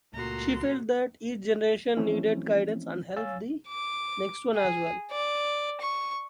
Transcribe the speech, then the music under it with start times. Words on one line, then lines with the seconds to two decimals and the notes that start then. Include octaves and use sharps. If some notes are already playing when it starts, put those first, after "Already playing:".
She felt that each generation needed guidance and help the next one as well.
0.14 C#2 A#2 A3 F#4 A#5 C6
1.97 E3 F3 A3 C4 C#4 E4
3.16 C#5 F5 G#5 E6 A6
3.68 D6
4.55 G#4
5.12 D5
5.82 C#6